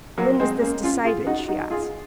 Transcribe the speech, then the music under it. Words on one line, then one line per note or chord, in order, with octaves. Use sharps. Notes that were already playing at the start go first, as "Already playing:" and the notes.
"When was this decided?" she asked.
F#3 A#3
G#3 C4
A#3 C#4
C#4 F4
F4 G#4
D#4 F#4
D#4 F#4
F4 G#4